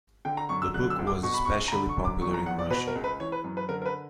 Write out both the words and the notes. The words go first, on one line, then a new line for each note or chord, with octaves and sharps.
The book was especially popular in Russia.
D3 G5
A#5
F#2 C#6
E6
D3 F#6
E6
D2
D6
B2 C#6
B5
C#2 C#6
A#5
D3 B5
C#6
F#2
D6
E2 C#6
A#5
E2 F#5
D5
B2 B4
A#4
C#2
B4
E3 C#5
B4
F#2
B4
D3 A#4
A#4
B4